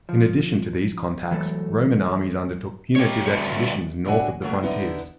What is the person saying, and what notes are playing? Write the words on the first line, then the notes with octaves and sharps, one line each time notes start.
In addition to these contacts, Roman armies undertook punitive expeditions north of the frontiers.
F3
E3 F#3 A3 A4
G4 C#5
D3 F#3 G3 A3 B3
A2 C#3 D4 E4 F#4 G#5
C#3 F#3 A3 A#3
D3 B3 D#4 E4